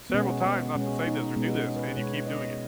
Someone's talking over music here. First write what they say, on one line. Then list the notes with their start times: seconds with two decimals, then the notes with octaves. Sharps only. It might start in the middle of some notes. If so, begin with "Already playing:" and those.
"several times not to say this or do this, and you keep doing it."
0.10 B3
0.14 B2 G#3 C#4
0.45 B3
0.75 B2 G#3 C#4
1.06 D#4
1.36 B2 G#3 B3
1.56 C#4
1.76 B4
1.96 B2 G#3 C#5
2.27 D#5